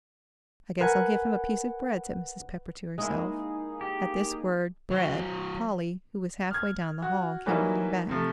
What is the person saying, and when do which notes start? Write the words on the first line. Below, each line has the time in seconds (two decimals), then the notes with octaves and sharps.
"I guess I'll give him a piece of bread," said Mrs. Pepper to herself. At this word "bread," Polly, who was half way down the hall, came running back.
0.81 A#4 B4 F#5 G#5
2.98 G#3 A#3 D#4 E4 G#4
3.81 G4
4.91 F#3 C5
6.51 F6 G#6
7.02 F#4
7.46 E3 F#3 G3 A#3 D#4 E4
8.09 C3 F3 A3